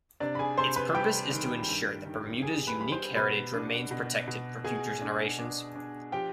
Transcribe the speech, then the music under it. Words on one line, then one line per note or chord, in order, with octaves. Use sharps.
Its purpose is to ensure that Bermuda's unique heritage remains protected for future generations.
C3 D4 D5
B5
G#4 G#5
C3 C5 C6
B4 B5
G3 G4 G5
D#3
G2
D#3
G3 G#4 G#5
B4 B5
G3 B5
C5 C6
B2 B4 B5
D4
B2
B2
B2 G#4 G#5
D4
D4
D4
F3 G4 G5